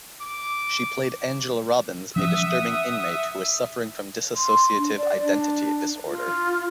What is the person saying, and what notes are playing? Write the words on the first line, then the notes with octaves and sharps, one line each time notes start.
She played Angela Robbins, a disturbing inmate who was suffering from Dissociative Identity Disorder.
D6
F3 C#4 E5 F#5 D#6
C6
D4
D5
D4
F4